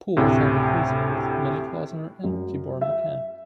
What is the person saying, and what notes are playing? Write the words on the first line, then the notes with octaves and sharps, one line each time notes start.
Poole founded Reason with Manny Klausner and Tibor Machan.
D2 A2 C3
F#2
E5